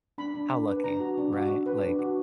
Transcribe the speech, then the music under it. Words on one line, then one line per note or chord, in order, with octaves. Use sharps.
how lucky, right? Like,
D4 B5
D4
D4
B4
D4 A#5
F#4
D4
F#4
D4
B4
D4
F#4